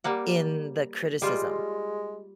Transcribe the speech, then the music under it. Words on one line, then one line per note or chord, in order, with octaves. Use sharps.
...in the criticism.
G3 A#3 F#5
G3 G#3 F4